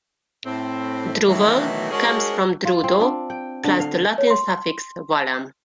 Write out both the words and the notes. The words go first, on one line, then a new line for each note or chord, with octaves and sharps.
"Druval" comes from "Drudo" plus the Latin suffix "vallem".
A2 C4
B2 D#3 E3 F#3 A3
G#3 D4 F#4 G#4 A#4 C#5
F4
C4
D4
G5
D3
F5
C#5
C6